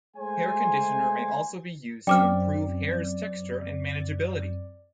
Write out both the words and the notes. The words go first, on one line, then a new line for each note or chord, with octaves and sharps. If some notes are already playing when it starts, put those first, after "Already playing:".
Hair conditioner may also be used to improve hair's texture and manageability.
G#3 A3 G#4 C5 G#5
F#2 C4 D5 G5 D6 F6